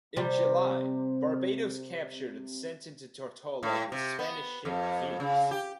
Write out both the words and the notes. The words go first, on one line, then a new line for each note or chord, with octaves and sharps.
In July "Barbadoes" captured and sent into Tortola the Spanish ship "Venus".
C3 G3
A2
C3
B3
F2
C#3
G4